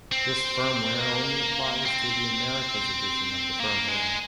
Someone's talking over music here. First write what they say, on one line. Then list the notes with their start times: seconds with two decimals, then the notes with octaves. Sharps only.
This firmware only applies to the America's edition of the firmware.
0.12 C4
0.99 A#3
1.86 C4
3.60 A#3
3.88 G#3